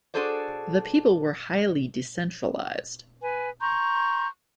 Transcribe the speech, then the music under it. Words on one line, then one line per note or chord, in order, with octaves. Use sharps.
The people were highly decentralized.
D4 F#4 G#4 A4 C5 D5
B4 G#5
A#5 C6 C#6 G6